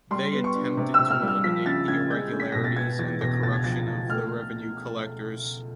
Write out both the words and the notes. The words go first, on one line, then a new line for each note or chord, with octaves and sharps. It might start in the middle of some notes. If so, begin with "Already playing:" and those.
They attempted to eliminate the irregularities and the corruption of the revenue collectors.
G3 C6
B3
C#6
D4
C3
E6
C3
F6
G3
F6
F3 B6
C#3 A6
C#3 G#6
G#3 G6
C#4
B6
B2 A#6
A6
B3 G#6
E2 A6
B2 A#6
C#2 A6
G#6
F3 A6
C#2
A3 F6